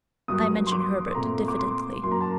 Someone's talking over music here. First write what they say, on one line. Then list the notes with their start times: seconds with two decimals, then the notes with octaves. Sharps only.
I mentioned Herbert diffidently.
0.28 G2 F#3 A#3 D#6
0.67 C6
0.72 D6
1.11 C6
1.15 A#2 A3 C4 A#5
1.48 D6
1.59 C6
2.02 F#2 F#3 A#3 C6
2.11 A#5
2.21 A5